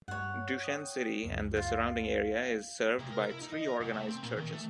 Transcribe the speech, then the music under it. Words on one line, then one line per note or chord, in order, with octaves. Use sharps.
Duchesne city and the surrounding area is served by three organized churches.
G2 C#5 F#5
G5 D#6
C#2 F#2
F4
C3
A#4
E4
D#4
D#5
A#4
C2
A3
C4
A#2
D#3
A3